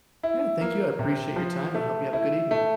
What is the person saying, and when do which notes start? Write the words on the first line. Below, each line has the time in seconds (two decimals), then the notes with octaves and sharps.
Yeah, thank you. I appreciate your time, and I hope you have a good evening.
0.23 E4
0.61 A#3
0.99 C3
1.36 F3
1.75 A3
2.13 E4
2.51 A3